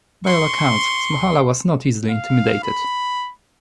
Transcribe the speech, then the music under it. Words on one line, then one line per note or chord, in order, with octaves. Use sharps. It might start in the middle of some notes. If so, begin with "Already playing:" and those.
By all accounts, Smohalla was not easily intimidated.
C6 C#6
F5
B5